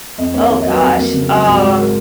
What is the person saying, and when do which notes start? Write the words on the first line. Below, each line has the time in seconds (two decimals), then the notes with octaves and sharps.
Oh gosh. Um.
0.18 F2 D#5
0.34 A#3 C#5
0.50 D#3 F5
0.62 D#5
0.66 F#3 B4
0.82 F2
0.98 A#3
1.14 C#3
1.30 F#3
1.46 G#1 F#4
1.62 G#3 F#4
1.78 A#4